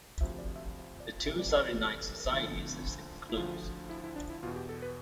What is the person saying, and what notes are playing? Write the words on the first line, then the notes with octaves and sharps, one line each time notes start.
The two Saturday night societies have since closed.
D2 C3 F3 E5
D5
E5
D5
C2 C3 E3 E5
D5
C5
B4
A4
D2 D3 F3
E4
D2 D3 F3 F4
E4
E4
D4
E4
E2 B2 F4
G4
A4
B4